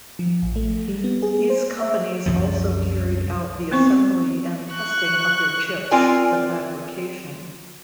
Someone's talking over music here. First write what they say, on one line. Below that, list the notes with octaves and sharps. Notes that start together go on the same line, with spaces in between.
These companies also carried out the assembly and testing of their chips, the fabrication.
F3
A1
A3
G3
B3
G#4
C5
E5
C2 F#2 F3
B3 C4 C5 C#6
C#6 F#6
C4 F4 A#4 D5 G#5